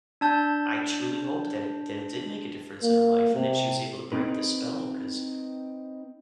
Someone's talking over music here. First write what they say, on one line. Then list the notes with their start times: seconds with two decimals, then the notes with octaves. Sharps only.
I truly hope that it that it did make a difference in her life and that she was able to break the spell 'cause,
0.21 D4 A5 G6
2.83 A#3
3.35 C3
4.12 C4 D#4 B4